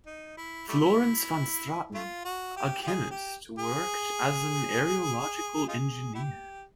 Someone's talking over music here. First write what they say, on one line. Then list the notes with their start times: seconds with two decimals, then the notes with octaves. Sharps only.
Florence van Straten, a chemist, worked as an aerological engineer.
0.06 D#4
0.38 E4
0.69 G3 A3 E4
1.94 A3 F4
2.25 F#4
2.57 G4
2.83 G4
2.87 D#4 F4 G#4
3.11 G4
3.58 G#4
5.69 D#4 F4 G#4
6.15 E4 G4